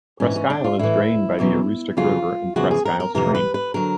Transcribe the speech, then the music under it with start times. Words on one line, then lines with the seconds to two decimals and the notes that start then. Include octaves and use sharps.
Presque Isle is drained by the Aroostook River and Presque Isle Stream.
0.20 G#2 E3 C#4
0.36 C#4
0.50 D4
0.64 F4
0.79 A2 E3 E4
1.39 E2 B2 F#3
1.97 F2 C#3 F#3 F4
2.56 E2 C#3 F3 F#4
2.71 G#4
2.85 A#4
3.00 A#4
3.15 F2 C3 E3 A#4
3.35 B4
3.54 B4
3.74 D3 F#3 A#4